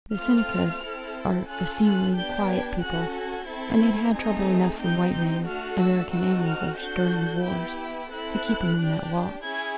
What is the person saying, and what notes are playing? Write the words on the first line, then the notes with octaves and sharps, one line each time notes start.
The Senecas are a seemly, quiet people, and they'd had trouble enough from white men--American and English--during the wars, to keep 'em in that walk.
A3 C4 F4 F6
C4 E4 A4
C#4 F4 A4 F#6
F#6
B3 D4 G4 G6
G#6
C#4 F#4 A4 F#6
G#6
C4 E4 A4
A3 C4 D#4 G#4
C4 D#4 G4 G6
G6
A3 D4 F#4 A4 F6
E6
C4 D#4 F#4 A4 E6
F6
D4 F#4 A4 G6
B3 E4 G4
C4 E4 A4 F#6
D4 G4
C#4 E4 G#4 G#6